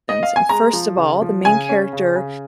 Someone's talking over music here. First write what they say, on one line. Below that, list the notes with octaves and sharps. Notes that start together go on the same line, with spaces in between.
And first of all, the main character,
D#5
F5
G#5
G#3 A#5
F3
C#3
F3
C#3 G#5
C#4
C#3
C#3